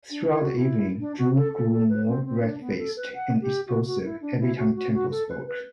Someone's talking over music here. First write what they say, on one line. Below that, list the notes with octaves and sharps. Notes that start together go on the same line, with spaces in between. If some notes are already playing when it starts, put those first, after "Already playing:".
Throughout the evening Drew grew more red-faced and explosive, every time Temple spoke.
D4
E4
F#4
E4
D4
F#4
A4
A4
A4
B4
C4
C4
D4
B3
A4
B4
F#5
G4
F#4
F#4
E4
D4
E4
F#4
F#4
F#4
A4
B4
B4